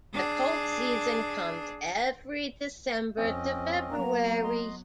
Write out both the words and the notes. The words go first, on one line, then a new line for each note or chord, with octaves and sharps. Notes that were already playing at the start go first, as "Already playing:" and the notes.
The cold season comes every December to February.
D4 G#4
F2 C4 C#4 D#5
F#3 A#3 B3 A#5
D#5 C6